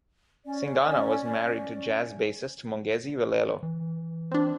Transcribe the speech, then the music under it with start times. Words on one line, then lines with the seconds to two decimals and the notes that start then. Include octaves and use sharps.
Singana was married to jazz bassist Mongezi Velelo.
0.45 C#4 D5
3.63 E3
4.31 C4 D4